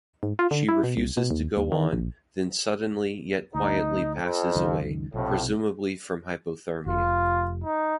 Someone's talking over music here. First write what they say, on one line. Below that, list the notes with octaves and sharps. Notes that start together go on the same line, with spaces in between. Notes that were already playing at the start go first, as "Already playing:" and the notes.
She refuses to go on, then suddenly yet quietly passes away, presumably from hypothermia.
G#2
F4
D3
E4
B2
C2
B2
D#2
D#2
D#3
A#1
D2 D#4
F2
C#2 F#2 D#3
B1 F2 A2 C3
F1 F4
D#4